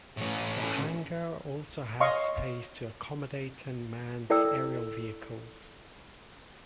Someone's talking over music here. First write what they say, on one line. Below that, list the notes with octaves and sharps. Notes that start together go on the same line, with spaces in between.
The hangar also has space to accommodate Unmanned aerial vehicles.
A2 C#4
C#5 D#5 F5 C6 C#6
E4 A4 D5 G5 E6